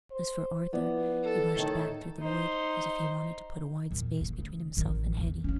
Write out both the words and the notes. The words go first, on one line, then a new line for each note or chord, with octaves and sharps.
As for Arthur, he rushed back through the wood, as if he wanted to put a wide space between himself and Hetty.
C5
F3 B3 E4 D5
A4
A2 D#3
D#4 C5
E2 A#2
D#1 E2
C#3 A3
A1 D#3
E2
C#2 C#4